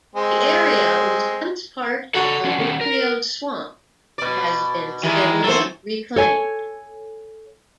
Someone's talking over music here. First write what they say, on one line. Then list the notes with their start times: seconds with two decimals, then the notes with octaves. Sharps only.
The area was once part of the Luprio swamp, but has been steadily reclaimed.
0.15 G#3 C4
2.14 F#3 F#4 A4 F#5
2.44 F3 C#4 D4
2.59 D#3 G3 C#4
2.81 A#4
4.18 B2 D5
5.03 D#3 E3 G3 G#3
5.44 E3 F#3 A4 C5
6.16 A4 C#5 G#5